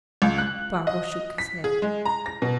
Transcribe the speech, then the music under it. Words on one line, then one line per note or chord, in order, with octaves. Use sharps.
Spargo shook his head.
C#2
F#6
D#5
B6
G#4
G#3
A#5
A#6
B2